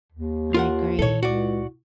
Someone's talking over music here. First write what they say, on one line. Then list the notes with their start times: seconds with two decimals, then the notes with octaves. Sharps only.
I agree.
0.12 D#2
0.54 F4 A#4 F#5
0.99 A#2 E4 A4 C#5
1.23 C#2 F#4 D5